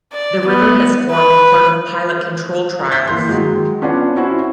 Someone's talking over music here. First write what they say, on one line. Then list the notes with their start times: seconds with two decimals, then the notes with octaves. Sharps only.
The river has formed part of pilot control trials.
0.12 D5
0.47 B3
1.10 B4
2.80 A#5
2.91 G6 B6
3.07 E3 A#3 C6 G6
3.29 D#3 F#3 G#3
3.81 B3 C#4 D4 F4 F#5
4.16 C#4 E4 F#4 C5